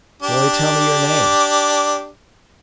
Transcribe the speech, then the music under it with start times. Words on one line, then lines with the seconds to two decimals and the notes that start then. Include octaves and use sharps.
"Only tell me your name."
0.23 D4 G4 D6